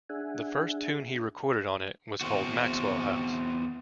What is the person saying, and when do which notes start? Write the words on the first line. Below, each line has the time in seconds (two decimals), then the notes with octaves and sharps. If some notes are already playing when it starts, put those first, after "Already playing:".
The first tune he recorded on it was called Maxwell House.
0.10 D4 G#4 E5 F#5 G#5
2.21 E2 C4 F#4